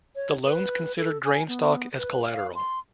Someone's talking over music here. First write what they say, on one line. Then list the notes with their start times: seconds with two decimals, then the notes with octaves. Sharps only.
The loans considers grain stock as collateral.
0.15 C#5
0.45 B4
0.97 A4
1.25 G#5
1.48 B3
1.97 B4
2.25 F5
2.55 C6